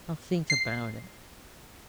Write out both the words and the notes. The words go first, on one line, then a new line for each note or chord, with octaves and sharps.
"I'll think about it."
C7